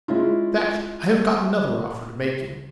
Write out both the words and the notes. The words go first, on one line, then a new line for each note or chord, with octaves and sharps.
In fact, I have got another offer to make you.'
G#3 C#4 E4 F4